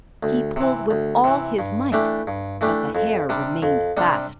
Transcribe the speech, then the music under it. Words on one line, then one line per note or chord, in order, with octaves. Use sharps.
He pulled with all his might; but the hair remained fast.
D2
C3 E3
D2
C3 E3
G2
E3 A3 D4 G4
G2
E3 A3 D4 G4
F2
C3 G3 D4
F2
C3 G3 D4